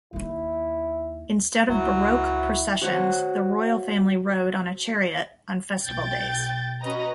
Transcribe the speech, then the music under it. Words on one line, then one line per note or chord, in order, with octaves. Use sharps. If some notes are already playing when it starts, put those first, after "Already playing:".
Instead of barque processions, the royal family rode on a chariot on festival days.
D#2 D#4 E4
C#2 D3 F#3 E4
F#4 C5 C#5 F#5
B1 G5 G6 A6
C#4 F#4 B4 D#5 A#5